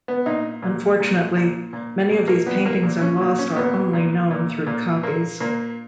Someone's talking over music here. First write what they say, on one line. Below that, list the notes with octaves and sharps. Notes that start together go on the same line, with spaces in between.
Unfortunately, many of these paintings are lost or only known through copies.
B3
A#2 D#4
A#2
A#2
A#2
A#2
A#2
A#3
A#2 B3
A#3
A#2
C#4
A#2
C#4
A#2 B3
A#2
A#2
A#2
A#2 A#3
A#2 A#3